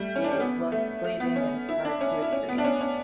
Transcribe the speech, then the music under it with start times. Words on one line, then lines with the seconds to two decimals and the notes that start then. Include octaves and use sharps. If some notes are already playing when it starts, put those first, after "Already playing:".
He was left bleeding and tied to a tree.
Already playing: G3 A3
0.16 C#4
0.24 D4
0.31 C#4
0.40 B3
0.72 A3
1.04 A3
1.20 B3
1.36 C#4
1.69 E4
1.85 D4
2.01 C#4
2.22 E4
2.33 C#4
2.49 B3
2.58 D4
2.65 C#4
2.81 C#4